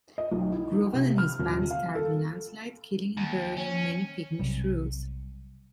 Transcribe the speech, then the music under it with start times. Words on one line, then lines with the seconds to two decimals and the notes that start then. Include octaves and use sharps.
Gruven and his band start a landslide, killing and burying many pygmy shrews.
0.18 D#5
0.32 B1
0.52 E4
0.73 D#4
0.93 C3
1.18 F6
1.39 D#1
1.70 F5
1.95 A4
3.17 D#2
3.57 C#4
4.39 B1 C3 F#3 G3